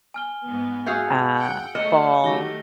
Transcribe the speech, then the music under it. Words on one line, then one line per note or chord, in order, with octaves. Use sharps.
uh, fall,
G#5 F6 G7
G#2 B3
F#4 G#4 F5 D#6 E6 G6
F#5 G5
F#3 A3 D#5 F6 C#7
D#3 F#3 A3 F#4 G4 A#6 G7